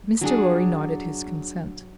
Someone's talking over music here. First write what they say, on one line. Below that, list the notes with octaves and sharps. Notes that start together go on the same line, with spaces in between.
Mr. Lorry nodded his consent.
F#3 D4 G#4